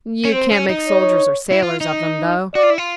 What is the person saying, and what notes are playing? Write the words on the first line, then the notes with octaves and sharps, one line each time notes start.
"You can't make soldiers or sailors of them, though."
C#4
C4 C5
C#4
D#4
C#5
E4
F4
D#4
F#4 D5
F4
E4
F4